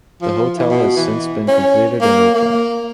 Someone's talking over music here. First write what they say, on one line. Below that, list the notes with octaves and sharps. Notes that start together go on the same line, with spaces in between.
The hotel has since been completed and opened.
F3
E3
B2
E3
C#4
A#3
A#3